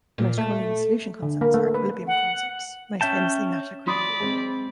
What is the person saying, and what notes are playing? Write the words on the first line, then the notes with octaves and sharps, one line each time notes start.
The most commonly used solution concepts are equilibrium concepts, most famously Nash equilibrium.
A#2
A3
D3
A#3
A3
B4
F#5
C#4 E5 G5 A5
F#3 D5 B5 C6 D#6
G#3 C4